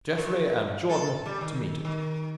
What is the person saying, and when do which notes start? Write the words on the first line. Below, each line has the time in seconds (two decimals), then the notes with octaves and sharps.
Geoffrey and Jordan, to meet it.
0.18 F3
0.89 A4
1.26 G3
1.41 D#3
1.85 D#3